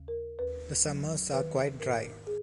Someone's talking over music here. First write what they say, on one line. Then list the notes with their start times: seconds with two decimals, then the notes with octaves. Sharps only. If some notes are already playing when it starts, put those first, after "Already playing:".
The summers are quite dry.
Already playing: D#2 C#3
0.08 A#4
0.39 D#2 B4
0.86 F#3
1.33 D#3 B4
1.80 G#2 A#4
2.27 G#4